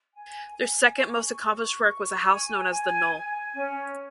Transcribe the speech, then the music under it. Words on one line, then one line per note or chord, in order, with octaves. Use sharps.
Their second most accomplished work was a house known as "the Knole".
G#5
G#5
C#6
C#6
C#6
G#5
G#5
G#5
C#4